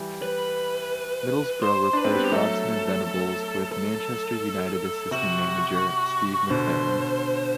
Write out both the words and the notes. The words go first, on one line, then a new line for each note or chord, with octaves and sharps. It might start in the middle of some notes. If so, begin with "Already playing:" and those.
Middlesbrough replaced Robson and Venables with Manchester United assistant manager Steve McClaren.
Already playing: E3 G3
B4
C5
D4 B4
C4
G3 B3
G4
F#3 A3 A4
A4
C3 F#4
B2 D3 C5